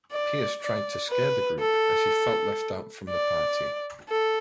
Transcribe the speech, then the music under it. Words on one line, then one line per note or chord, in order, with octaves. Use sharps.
Pierce tried to scare the group as he felt left out from the party.
D5
D5
B4
A4
D5
A4